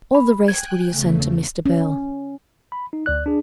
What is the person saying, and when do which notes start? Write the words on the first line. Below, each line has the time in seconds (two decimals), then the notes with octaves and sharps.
All the rest will you send to Mr. Bell?
0.15 B5
0.48 G5 G#5 F#6 G#6
0.88 E2 C#3 A3
1.66 C#4
2.72 B5
2.93 D#4
3.06 D2 D5 F#6
3.26 D4 G#4